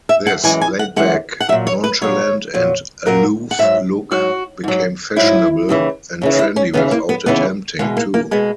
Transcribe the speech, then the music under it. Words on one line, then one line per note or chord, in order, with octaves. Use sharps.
This laid back, nonchalant, and aloof look became fashionable and trendy without attempting to.
E5
F#5
F#2 E3 G#3 G#5
G#5
F#5
F#2 E3 G#3 F#5
F#5
A#2 F#3 E5
C#5
B4
A#2 F#3 C#5
A#2 F#3
A#2 F#3 A#4
F#5
G#2 F#3 E5
G#2 F#3 F#4
G#2 F#3
G#2 F#3 E4
D#2 C#3 E3
D#2 C#3 E3
E4
C#4
D#2 C#3 E3 B3
A#3
B3
D#2 C#3 E3 B3
E2 B2 G#3 A#3
A#3
A#3
B2 G#3 B3